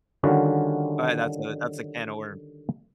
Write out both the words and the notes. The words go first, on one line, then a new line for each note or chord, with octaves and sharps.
alright, that's a that's a can of worms.
D3 D#3 G3 C#4 F4 F#4